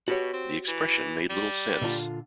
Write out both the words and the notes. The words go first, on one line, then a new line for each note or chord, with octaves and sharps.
The expression made little sense.
B2 F#4 G4 C#5
C4
E3
G3
A#2 D3 F4